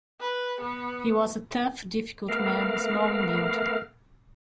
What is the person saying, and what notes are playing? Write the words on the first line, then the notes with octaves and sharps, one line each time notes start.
He was a tough, difficult man, small in build.
B4
B3
A3 B3 A#4 F5